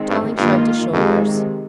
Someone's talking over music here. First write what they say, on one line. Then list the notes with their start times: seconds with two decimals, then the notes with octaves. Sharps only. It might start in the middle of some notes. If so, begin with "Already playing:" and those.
Tarling shrugged his shoulders.
Already playing: D#3 G#3 C4
0.09 G2
0.37 G2 D#3 A#3 F4
0.93 F2 C3 D#3 G#3